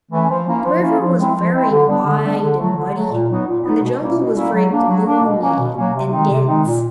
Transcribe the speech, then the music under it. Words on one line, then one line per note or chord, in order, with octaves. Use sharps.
The river was very wide and muddy, and the jungle was very gloomy and dense.
E3 A3 C#4
F3
A#3 C#4 E4
F3
A#3 C#4 E4
F3
G#3 C4 E4
F3
G#3 C4 E4
D3
G3 B3 D4
D3
G3 B3 D4
D3
F#3 A3
D3
F#3 A3
A#2
F#3 B3 D#4
A#2
F#3 B3 D#4
B2
G3 A#3 C#4 E4
B2
G3 A#3 C#4 E4
F#3
A#3 D4
F#3
A#3 D4
B2
F#3 A#3 C#4
B2
F#3 A#3 C#4
C3
D#3 G#3 C4 D#4
C3
D#3 G#3 C4 D#4
A#2